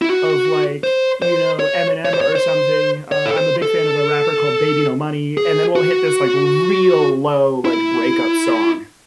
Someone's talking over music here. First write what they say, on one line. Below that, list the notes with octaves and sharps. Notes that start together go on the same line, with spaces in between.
of, like, you know, Eminem or something, uh, I'm a big fan of a rapper called Baby No Money, and then we'll hit this, like, real low, like, breakup song.
E4
F#4
C5
C5
C#5
C#5
C5
C#5
C5
C#5
A4
C5
A4
G#4
F#4
E4